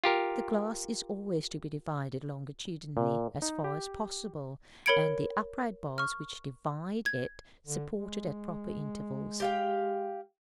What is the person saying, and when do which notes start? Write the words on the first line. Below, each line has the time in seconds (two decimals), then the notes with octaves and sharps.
The glass is always to be divided longitudinally as far as possible, and the upright bars which divide it supported at proper intervals.
0.04 F4 G4 A#4
2.97 A#2
3.42 D#4
3.64 G4
4.86 A#4 C#5 B5 G#6 C#7 D7
5.98 C#6 F6
7.06 G#6
7.67 D3
7.95 G#3
9.40 G4 F5 G5